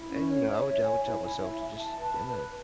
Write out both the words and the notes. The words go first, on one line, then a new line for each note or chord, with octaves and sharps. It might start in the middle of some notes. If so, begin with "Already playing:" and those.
and, you know, I would I would tell myself to just kinda,
Already playing: E4
C#4
C#5
E5
C#5
G#5
E4
E4
E5
E5
A5
B4